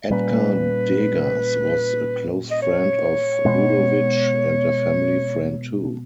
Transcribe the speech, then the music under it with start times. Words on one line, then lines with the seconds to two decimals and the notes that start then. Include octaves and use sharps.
Edgar Degas was a close friend of Ludovic and a family friend too.
0.10 A#2 G3 A#3 C#4 B4
2.51 D#5
2.62 C#5
3.45 B2 G#3 B3